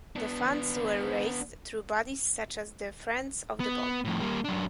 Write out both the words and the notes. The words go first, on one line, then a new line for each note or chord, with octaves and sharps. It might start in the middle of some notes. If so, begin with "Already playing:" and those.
The funds were raised through bodies such as the Friends of the Bog.
B3 D4
B3
F2 A2
G3 A#3
F#2 D4